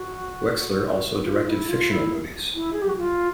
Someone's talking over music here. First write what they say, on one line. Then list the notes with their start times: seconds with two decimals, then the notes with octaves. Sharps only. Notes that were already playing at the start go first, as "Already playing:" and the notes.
Wexler also directed fictional movies.
Already playing: F#4
1.25 F4
1.46 E4
1.68 F4
1.90 E4
2.55 E4
2.73 G#4
2.82 G4
2.89 F#4
2.98 F4